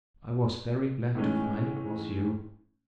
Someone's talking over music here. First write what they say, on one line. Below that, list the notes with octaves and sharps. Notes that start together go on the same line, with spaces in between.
I was very glad to find it was you.
A2 E3 G#3 C#4 D#4